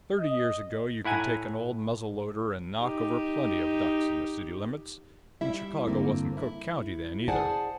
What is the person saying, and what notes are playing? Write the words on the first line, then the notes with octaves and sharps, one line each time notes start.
Thirty years ago, you could take an old muzzle-loader and knock over plenty of ducks in the city limits, and Chicago wasn't Cook County then, either.
D#5
A2 E4 F#5 G#5 A#5
D#4 G4
G3 E4 E5
G2 D3 A#3 C4
E4
G#4 C5 D5 F#5 G#5 A5